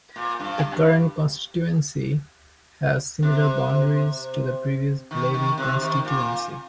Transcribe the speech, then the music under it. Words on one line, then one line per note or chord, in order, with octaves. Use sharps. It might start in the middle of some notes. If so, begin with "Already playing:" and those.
The current constituency has similar boundaries to the previous Blaby constituency.
A#2
G2
G2
C3
D#3
D#3
C3
D#3
A#2